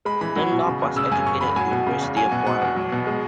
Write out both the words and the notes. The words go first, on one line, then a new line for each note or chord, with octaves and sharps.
Dunlop was educated at the University of Waterloo.
G#3 B5
E3 B5
F#3
B2
C#3
E2
C#3 E6
F#2 G#5
C#3 C#6
E2 B5
F#3 G#5
B2
C#3
E2
F#3 G#5
B2 F#5
B2 F#5
E2
F#3
B2
G#3